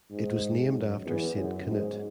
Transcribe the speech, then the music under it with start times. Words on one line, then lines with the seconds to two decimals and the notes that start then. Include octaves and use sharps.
It was named after Saint Canute.
0.11 G#2
0.73 F#2
1.05 E2
1.36 F#2
1.67 G#2